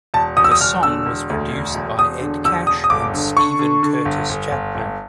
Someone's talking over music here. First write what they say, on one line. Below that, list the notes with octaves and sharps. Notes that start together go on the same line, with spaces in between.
The song was produced by Ed Cash and Steven Curtis Chapman.
E1 A5
E1 D#6
E6
D#6
E1 F6
D3 E6
E1
D2
E1
E1
E1 D#6
D3
E1 E6
E1 D#6
D#6
G1 D6
D3
D3 C#6
D3
D3
G1
G1
G1
G1